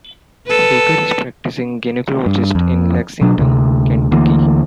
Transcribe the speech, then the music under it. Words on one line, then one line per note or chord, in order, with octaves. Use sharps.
Hager is a practicing gynecologist in Lexington, Kentucky.
A4 B4
G2
F2
B2 F#3 D4
D2 C3
D2 D3 E3 A#3